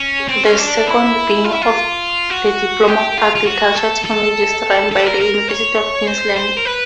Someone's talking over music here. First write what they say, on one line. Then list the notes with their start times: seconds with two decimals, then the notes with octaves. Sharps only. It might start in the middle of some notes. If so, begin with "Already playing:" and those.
The second being the Diploma of Agricultural Technologies run by the University of Queensland.
Already playing: C#4
0.28 C4
0.43 C#4
0.57 D4
0.87 E4
1.44 F4
1.53 E4
1.62 F4
2.31 F#4
2.88 G4
3.18 F4
3.35 F4
3.46 F#4
3.76 A4
4.05 A4
4.91 A4
5.06 A#4
5.20 A#4
5.49 C#5
6.07 C5
6.36 C5
6.57 A#4
6.65 B4